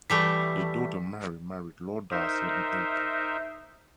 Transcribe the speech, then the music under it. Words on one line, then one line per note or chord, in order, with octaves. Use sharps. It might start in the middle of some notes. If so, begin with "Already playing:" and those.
Their daughter Mary married Lord Darcy in April.
E3 G3 A3 B6
D#4 A#4 C5 E5